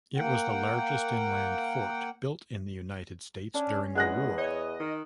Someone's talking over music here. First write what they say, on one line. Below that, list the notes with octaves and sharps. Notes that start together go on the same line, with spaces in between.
It was the largest inland fort built in the United States during the war.
A#3 F#5 G5
C#4 D4
E2 G#3 F#5 F#6 A#6
C#5 D#5
D#3